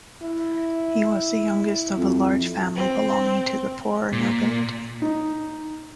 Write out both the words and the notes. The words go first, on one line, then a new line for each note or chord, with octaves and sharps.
He was the youngest of a large family belonging to the poorer nobility.
E4
F2
C4
A#2
D#4